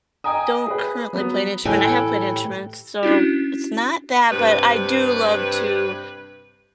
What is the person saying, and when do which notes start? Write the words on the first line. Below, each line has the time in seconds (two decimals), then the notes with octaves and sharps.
don't currently play an instrument, I have played instruments, so it's not that, but I do love to,
0.24 D#5 G5 G#5 A#5 D#6
0.67 G#4 B4
1.13 F#3 B3
1.65 A2 E3 F#3 G3 A4 G5 G#5
3.03 C#4 D4 E4 F#4
4.31 G2 C3 B4